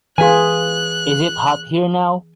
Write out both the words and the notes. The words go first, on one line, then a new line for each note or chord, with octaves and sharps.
Is it hot here now?
E3 G#4 B4 F5 G#5 C6 F#6